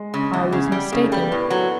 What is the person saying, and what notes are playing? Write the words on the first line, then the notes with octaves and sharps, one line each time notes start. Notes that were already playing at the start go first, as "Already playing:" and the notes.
I was mistaken.
Already playing: G#3
C#3
E2
C#3
G3
C#3 A#3
A3
A#3
G3
B3
A2 B3
F#3